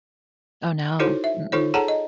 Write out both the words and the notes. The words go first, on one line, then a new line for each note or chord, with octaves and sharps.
Oh, no, mm-mm.
D#4 E4 F#4 A4 C5 C#5
E5
D#4 F4 A4 C5 C#5
G#4 A4 C#5 F#5 A5 A#5
D#5